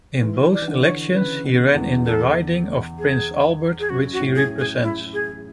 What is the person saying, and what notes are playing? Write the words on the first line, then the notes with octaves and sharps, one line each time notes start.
In both elections, he ran in the riding of Prince Albert which he represents.
E3
D5
E3
D3
C#5
C#3 B4
B2
E2
A4
G#4
G#4
F#2 F#4
F#4
A2
G#4
G#4
E4
G#4